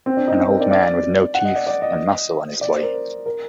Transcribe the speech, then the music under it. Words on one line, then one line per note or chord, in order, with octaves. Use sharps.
An old man with no teeth and muscle on his body.
C4
D4
D#4
D#4
A#4
D5
D5
F#5
D#5
D5
D5
D#5
D5
C5
A#4
A#4